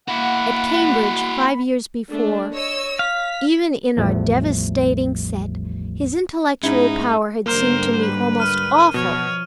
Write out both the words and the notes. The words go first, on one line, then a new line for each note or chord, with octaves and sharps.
At Cambridge, five years before, even in our devastating set, his intellectual power had seemed to me almost awful.
A#3 E4 F#4 F#5 B5
A3 D4
C#5 D#5 E6
F5 B6
A1 E2 A2 F3 G3 A3
G#2 C#4 D#4 E4
G#2 D3 G3 A#3 A#4 C5
B4
F6 D#7
B2 F3 C#5